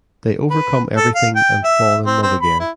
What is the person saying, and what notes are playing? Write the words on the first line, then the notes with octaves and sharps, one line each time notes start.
They overcome everything and fall in love again.
B4
A4
F5
G5
E5
C4
C4
B5
E4